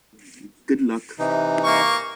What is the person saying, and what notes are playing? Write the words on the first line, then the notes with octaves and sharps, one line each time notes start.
Good luck !
C3 E3 D#4
A#3 C#6